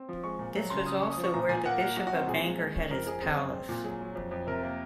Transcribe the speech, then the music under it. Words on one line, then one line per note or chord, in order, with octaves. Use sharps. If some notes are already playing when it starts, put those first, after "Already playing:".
This was also where the Bishop of Bangor had his palace.
Already playing: C4
F3
G#3 C#6
A#2
F#3
C#3 C6
C#3 D#6
C#4 C#6
D#6
F3
C#6
A#2 A#5
A#2 G#5
A#3 F#5
A#3
F#3 F#4
F#4
C4
A#2 G#4
G#3
G#3
C#4
F2 A#4
F2 G#4
C4 G#4
F#2
C4
A#2
F#3 G#4
F#3
F2
F2
C3 A#4
A#3